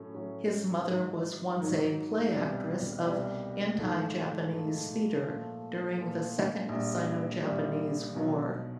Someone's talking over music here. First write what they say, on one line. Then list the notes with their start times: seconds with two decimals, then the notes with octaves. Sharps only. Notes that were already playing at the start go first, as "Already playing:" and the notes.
His mother was once a playactress of Anti-Japanese Theatre during the Second Sino-Japanese War.
Already playing: A2 F#3 A3 C#4
0.15 A2 F#3 A3 C#4
0.87 G#2 D#3 F#3
1.60 G#2 D#3 F#3
2.32 C2 B2 G3
3.05 C2 B2 G3
3.78 G#2 F3 A3
4.51 G#2 F3 A3
5.24 A#2 F3 A3
5.96 A#2 F3 A3
6.69 A#1 A#2 G3
7.42 A#1 A#2 G3
8.14 B1 B2 F#3